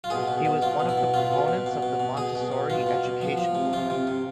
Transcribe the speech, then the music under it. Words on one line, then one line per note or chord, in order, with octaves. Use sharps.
He was one of the proponents of the Montessori education movement.
F4
B2 G#4
B2
B2
B2 F4
B2
E4
B2
B2 F4
B2
B2
B2
B2
B2
B2 G#4
B2
B2
B2 F4
B2
B2
F3
F3
C3
C3 F4
C3
C3